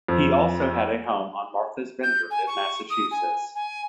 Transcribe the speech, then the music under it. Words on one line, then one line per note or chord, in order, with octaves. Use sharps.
He also had a home on Martha's Vineyard in Massachusetts.
F2
G6
G#5
C#6
D#6
G#5
G#5